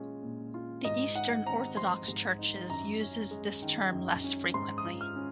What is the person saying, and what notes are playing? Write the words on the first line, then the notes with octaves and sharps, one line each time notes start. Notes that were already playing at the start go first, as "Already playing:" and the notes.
The Eastern Orthodox Churches uses this term less frequently.
Already playing: A#2 G#3 C#4 F4
A#2
F4
G#2 D#5
D#4 F#5
C4 A#5
F3 C6
G#2
D#4
F#2 A#5
C#4
G#3
D#3
F#2
C#4
G#2 C6
D#6
F4
F6
C#4